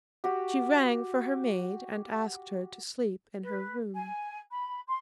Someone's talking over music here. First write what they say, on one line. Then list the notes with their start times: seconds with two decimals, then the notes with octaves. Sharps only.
She rang for her maid and asked her to sleep in her room.
0.24 F#4 G4
3.41 B4
3.94 G#5
4.51 B5
4.86 C6